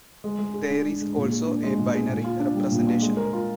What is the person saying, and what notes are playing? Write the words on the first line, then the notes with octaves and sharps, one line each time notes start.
There is also a binary representation.
G#3
G#3
G#4
D4
G#3
G#3
A#2
G#4
D4
G#3
A#2
G#4
A#2
F4
D4
G3
A#2
F4
G#3
A#4
F4